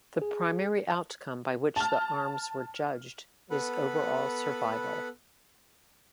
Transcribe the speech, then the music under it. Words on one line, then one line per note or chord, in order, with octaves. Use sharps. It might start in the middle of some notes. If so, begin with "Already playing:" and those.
The primary outcome by which the arms were judged is overall survival.
G#4
A5 F6
B3 A4 B4 F#5 B5